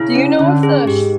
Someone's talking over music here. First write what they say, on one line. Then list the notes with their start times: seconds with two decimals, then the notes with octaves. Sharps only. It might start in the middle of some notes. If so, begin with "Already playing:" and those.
Do you know if the sh
Already playing: C#3 E4
0.15 C#4
0.39 D3 C#4
0.63 G#4
0.86 G#2 G4